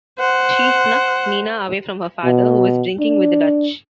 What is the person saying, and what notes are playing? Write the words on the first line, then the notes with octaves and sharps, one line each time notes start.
She snuck Nina away from her father, who was drinking with the Dutch.
C5 F#5
B2
D4